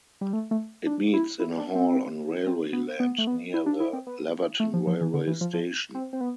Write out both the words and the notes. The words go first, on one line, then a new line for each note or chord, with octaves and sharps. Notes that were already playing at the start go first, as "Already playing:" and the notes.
It meets in a hall on railway land near the Laverton Railway Station.
G3
A3
A3
D4
E4
E4
D4
C4
C4
B3
B3
A3
B3
E4
D4
E4
C4
B3
A3
F3
F3
E3
D3
E3
F3
F3
C4
C4
B3